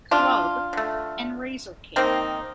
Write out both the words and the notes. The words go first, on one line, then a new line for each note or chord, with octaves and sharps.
Club, and Razorcake.
D4 F4
D3 A3
D#3 A#3 C4 D#4